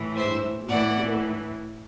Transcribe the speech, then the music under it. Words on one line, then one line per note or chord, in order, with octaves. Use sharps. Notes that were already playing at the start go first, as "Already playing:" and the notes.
and we, you know, we
Already playing: A2 E3
C5 E5
A2 E3 D5 F#5